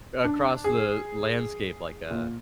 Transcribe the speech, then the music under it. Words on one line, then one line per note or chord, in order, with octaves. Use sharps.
across the landscape like a
D4
G#4
A#2